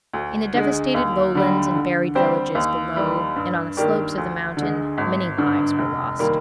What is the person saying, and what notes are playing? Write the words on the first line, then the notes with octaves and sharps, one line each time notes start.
In the devastated lowlands and buried villages below and on the slopes of the mountain many lives were lost.
D2
D3 G#3
D#2
D3 G3
D3
G3 C4 G4 C5
D#2
D#3 G3
G2
D#3 A#3 D4 G4
D2
D3
G#3
G#1
G2 D3
F1
D#3 G3 A#3